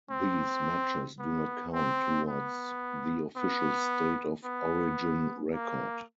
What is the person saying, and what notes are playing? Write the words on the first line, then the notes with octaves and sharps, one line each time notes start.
These matches do not count towards the official state of origin record.
C4
B3
C4
B3
B3
B3
A#3